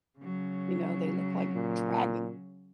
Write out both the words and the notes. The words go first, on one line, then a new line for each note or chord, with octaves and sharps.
you know, they look like dragon.
C#3 F#3
A#2